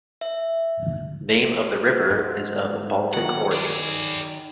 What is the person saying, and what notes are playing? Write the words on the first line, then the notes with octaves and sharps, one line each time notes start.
The name of the river is of Baltic origin.
E5
G#2
D#3 F#3 F#5
G#4 D5